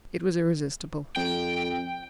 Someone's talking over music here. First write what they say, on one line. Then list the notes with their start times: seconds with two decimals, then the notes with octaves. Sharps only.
'It was irresistible.
1.16 F2 G5